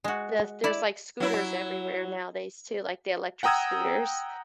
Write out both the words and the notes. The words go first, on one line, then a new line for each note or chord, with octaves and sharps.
The there's, like, scooters everywhere nowadays too, like, the electric scooters.
G#3 F#4
E4 D5
F#3 E4
F#5 G5 A#5 D#6 E6 G#6